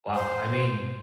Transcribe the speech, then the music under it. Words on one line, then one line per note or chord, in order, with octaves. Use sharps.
Wow, I mean,
C5